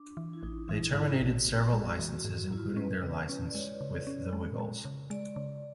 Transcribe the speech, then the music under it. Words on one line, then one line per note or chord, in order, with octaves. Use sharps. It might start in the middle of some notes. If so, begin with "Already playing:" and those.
They terminated several licenses including their license with The Wiggles.
Already playing: D4
E3
E4
A1 D#4
E3 E4
G#2 F4
A1 F#4
A1
F#4
G#3
E3 F#4
F#4
G#2
F#4
G#2 E4
F4
C#4 B4
C#3
C#4
D5
G#3 C#5
C#3
C#4
G#3
G#3
C#3
G#3 D5
C#3